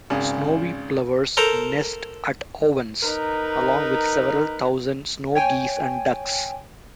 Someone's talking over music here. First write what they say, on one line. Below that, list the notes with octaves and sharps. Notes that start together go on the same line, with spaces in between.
Snowy plovers nest at Owens along with several thousand snow geese and ducks.
G#1 C#3 G#4
A4 A#4 C5 A#5
D#4 A#4 B4
C#5 G5 G#5